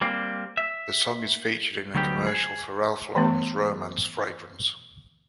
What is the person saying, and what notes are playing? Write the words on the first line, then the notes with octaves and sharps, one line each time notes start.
The song is featured in a commercial for Ralph Lauren's Romance fragrance.
G3 A#3 C4
E5
D2 F#3 G3 B3 G4
G#4
E3 A3 B3